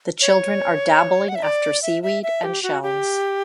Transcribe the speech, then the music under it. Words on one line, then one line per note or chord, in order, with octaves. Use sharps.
The children are dabbling after seaweed and shells.
C#5
F#5
E5
D5
E5
E5
E5
G4
F#4
G4